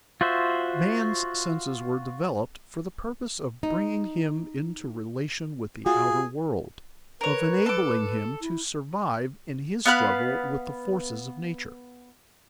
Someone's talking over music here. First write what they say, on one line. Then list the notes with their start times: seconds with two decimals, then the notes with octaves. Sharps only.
Man's senses were developed for the purpose of bringing him into relation with the outer world, of enabling him to survive in his struggle with the forces of nature.
0.21 F4 F#4 C5 E5
3.63 D#4
5.86 F4 F#4 G#4
7.21 A#4 B4 C#5
7.66 A4 D6
8.41 E4
9.85 B3 F5 B5 F#6